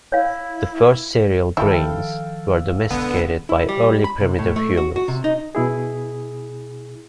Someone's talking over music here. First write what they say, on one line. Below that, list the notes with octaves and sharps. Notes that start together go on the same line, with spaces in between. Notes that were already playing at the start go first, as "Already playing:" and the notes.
The first cereal grains were domesticated by early primitive humans.
E4 C#5 F5
D#3 F3 E4 A4 F5 G5
E1 D3 B3 C#4
E4
G3
B5
C3
A2
A3
F#4
F#4
C3
D#4
B2 E4 G#4